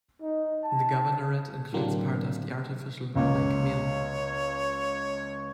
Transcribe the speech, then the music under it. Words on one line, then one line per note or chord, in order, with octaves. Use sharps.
The governorate includes part of the artificial Lake Milh.
D#4
A5
A2 D3 F#3 A#3 C4 D4
C#2 A#3 C#5